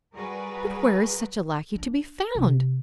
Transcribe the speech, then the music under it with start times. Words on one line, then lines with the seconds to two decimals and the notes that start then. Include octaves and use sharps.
"But where is such a lackey to be found?"
0.15 G3 F#4 G#4 A#4 B4
1.75 D4
2.35 C3